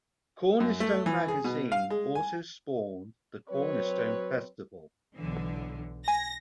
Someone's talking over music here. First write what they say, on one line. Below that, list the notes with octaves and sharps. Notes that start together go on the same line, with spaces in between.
"Cornerstone" magazine also spawned the Cornerstone Festival.
F#2
A3
E3
G#4
B2
F5
G#3
G#5
F#3 C4 B4 C#5
B1 D3 E3
G#5 A#6